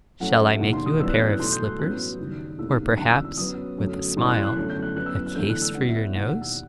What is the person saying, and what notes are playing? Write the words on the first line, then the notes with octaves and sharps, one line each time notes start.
Shall I make you a pair of slippers, or perhaps' with a smile--'a case for your nose?'
F#2 F#3 A3 F#5
D#5
E5
E1 D#2 D#3 F#5
C6
D#6
F#2 E3 G3 B3 E6
F#6
G6
F#6
B1 B2 A3 C6
G6
F#6
A1 G2 F#3 B3 F#6
F#1 F#2 D#3 G3
E1 D#2 D#3 A3 E6
G1 F#2 E3 F#6
E6
E6
F#2 F#3 B3 D#6
G1 F#2 F#3 A3
A1 A2 G3 C6
F#6
F#6
G1 F#2 F#3 A3
G6
F#6
F#2 F#3 B3 F#6
E6
F#6
F#6
G1 G2 E3 A3 G6
F#6
E6
A1 A2 G3 B3 F#5
E5
E1 D#2 D#3 F#5
F#5
E6